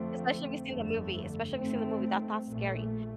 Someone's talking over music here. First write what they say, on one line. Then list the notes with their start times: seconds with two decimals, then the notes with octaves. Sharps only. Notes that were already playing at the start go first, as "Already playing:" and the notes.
especially if you've seen the movie especially if you've seen the movie, that that's scary.
Already playing: F2 D3 F3 A3 C4
0.68 G1 F2 D3 A3
1.57 G2 D#3 A3 C4
2.46 A#1 A#2 A3